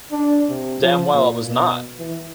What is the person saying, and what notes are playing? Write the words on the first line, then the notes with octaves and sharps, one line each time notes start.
damn well I was not.
D4
C3
F3
A#2
B2
E3